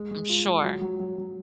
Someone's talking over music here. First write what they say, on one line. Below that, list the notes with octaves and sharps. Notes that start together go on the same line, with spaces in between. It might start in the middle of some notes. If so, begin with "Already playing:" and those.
I'm sure.
Already playing: G#3
G#3
F4
G#3
F#3
F#3
F#3
F#3